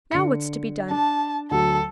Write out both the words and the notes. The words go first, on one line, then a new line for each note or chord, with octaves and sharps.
Now what's to be done?
D3 C#7
D4 A5
D2 F#3 A4